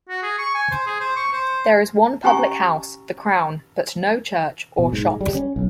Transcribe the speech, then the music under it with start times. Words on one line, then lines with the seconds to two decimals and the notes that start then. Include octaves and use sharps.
There is one public house, the Crown, but no church or shops.
0.09 F#4
0.23 G#4
0.38 C#6
0.55 G#5
0.71 C5
0.87 G#4
1.00 C5
1.16 C#6
1.33 C5
2.24 C#4 G4 G#5 A#5 C#6
4.79 B2
4.93 G#2
5.06 G#3
5.21 G3
5.35 C#4
5.56 B1